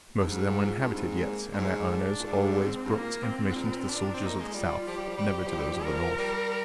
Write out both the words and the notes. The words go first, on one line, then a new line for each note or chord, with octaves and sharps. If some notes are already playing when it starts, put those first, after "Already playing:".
Most of them were inhabited yet, and their owners always brought information to the soldiers of the South, never to those of the North.
G2
G#2
F4
G2
G#2 C4
A#3
G2
G#2
D4
A#2
G#2
C4
G2
G#2 A#3
A#2
C4
G#2
A#2
D4
C4
D#4
A#3
G#3
G3 F4
F3 G4
G3
F3
G3 G4
F3
G3
F3
G3
F3
G3
F3 A#4
G3